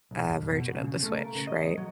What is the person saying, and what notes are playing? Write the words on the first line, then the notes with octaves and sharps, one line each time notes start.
uh, version of the Switch, right?
B1
F2
B2
C#3
A3
A#4
C#3
D#5
F#3